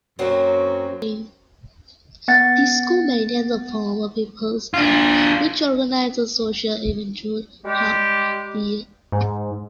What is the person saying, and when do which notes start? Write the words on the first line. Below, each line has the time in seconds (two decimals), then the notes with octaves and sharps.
The school maintains a Former Pupils Club, which organises social events throughout the year.
0.19 F#2 F#3 A#3 C4
2.28 B3 F#5 A6
4.74 D4 F4
7.65 G3 G#3 G4
9.12 G#2